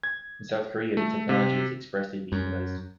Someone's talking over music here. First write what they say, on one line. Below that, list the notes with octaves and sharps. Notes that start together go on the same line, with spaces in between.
In South Korea, the technology was expressly legalized.
G#6
A3
C3
F#2